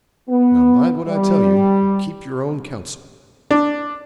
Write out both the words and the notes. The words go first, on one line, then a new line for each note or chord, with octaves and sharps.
Now, mind what I tell you, and keep your own counsel.'
B3
G3
D4